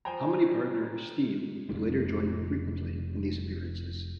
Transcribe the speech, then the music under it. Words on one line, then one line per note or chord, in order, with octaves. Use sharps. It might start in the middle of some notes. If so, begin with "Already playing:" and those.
Comedy partner Steen would later join him frequently in these appearances.
F3 C5 G5 G#5 A#5
F1 C2 G3